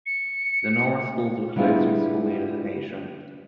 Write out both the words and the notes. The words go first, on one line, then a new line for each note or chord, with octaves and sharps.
Lenora schools were closed through school unification.
C#7
D3 G3 B3 E4 F4 G#4